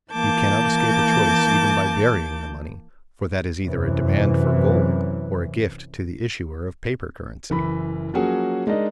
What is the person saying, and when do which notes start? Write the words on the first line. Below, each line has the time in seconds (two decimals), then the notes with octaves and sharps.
You cannot escape a choice even by burying the money, for that is either a demand for gold or a gift to the issuer of paper currency.
0.12 E3 A#3 A5 D6 G6
3.64 F#2 C3 E3
7.50 F#1 E3 B5
8.14 F3 F#3 A#3 C#4 F#4 G#4
8.67 G#3 D4 D#4 A#4 D#5